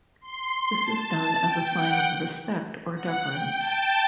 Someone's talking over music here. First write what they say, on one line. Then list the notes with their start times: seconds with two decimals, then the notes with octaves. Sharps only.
This is done as a sign of respect or deference.
0.20 C6
0.81 A5
1.12 A5
1.42 G5
1.72 F#5
2.95 F#5
3.25 G5
3.56 A5